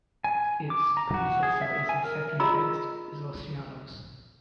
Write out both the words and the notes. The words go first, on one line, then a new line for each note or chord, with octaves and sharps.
Its predecessor is the Sethian text, "Zostrianos".
G#5
D6
A#5
F#4
G#4
E5
G#5
A#4
F4 G#4 D#5 A#5 B5 E6